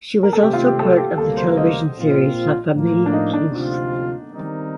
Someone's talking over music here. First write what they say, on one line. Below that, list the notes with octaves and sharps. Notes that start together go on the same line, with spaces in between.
She was also part of the television series La Famille Plouffe.
A#4
A4
C3 D#3 A3 C4 G4
F4
G4
A4
G4
D2 C3 G3 A#3 A4
C5
D#5
A#1 A#2 F3 C4 F4
A2 F3 A#3
D4
D#4
D4
D2 C3 F3 C4 F4
D#3 G3 C4 D#4 A#4